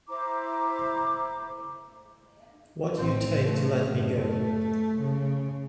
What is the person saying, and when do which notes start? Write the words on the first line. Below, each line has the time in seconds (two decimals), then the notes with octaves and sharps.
What'll you take to let me go?
0.08 E4 C5 A#5 D6
2.97 A1 C4
3.44 C#3 A3
3.86 F#1 A2
4.19 A3
5.00 C#3